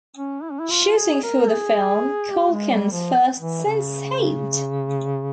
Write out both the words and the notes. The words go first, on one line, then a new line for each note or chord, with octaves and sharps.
Shooting for the film, Culkin's first since Saved!
C#4
E4
C#4
E4
F4
G#4
A#4
G#4
G4
G#3
G3
F3
E3
C#3